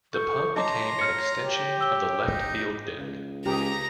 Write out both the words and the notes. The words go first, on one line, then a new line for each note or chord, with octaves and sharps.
The pub became an extension of the left field deck.
A4 C#6 G6
C#5 D#5 A5 A#5 C6 D6
F6 C#7
G4
E6 G7
D#4 G6
C#2
C#2 G4 G#4 A#5 A#6